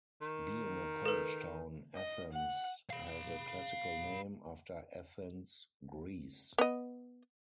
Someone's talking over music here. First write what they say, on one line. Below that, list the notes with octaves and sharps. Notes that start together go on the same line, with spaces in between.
Being a college town, Athens has a classical name, after Athens, Greece.
D#3
A4 B4
D#5
F#5
F5 B5
B3 D#5